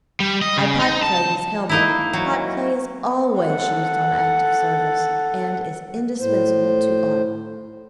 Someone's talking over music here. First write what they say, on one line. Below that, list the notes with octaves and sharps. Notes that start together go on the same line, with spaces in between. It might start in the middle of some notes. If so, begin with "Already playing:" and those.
I pipeclayed his helmet,--pipeclay is always used on active service, and is indispensable to Art.
G3
D#5
C#3
D#4
A5
A#3 D#4 E4
F#3
A4 F#5
A2 C5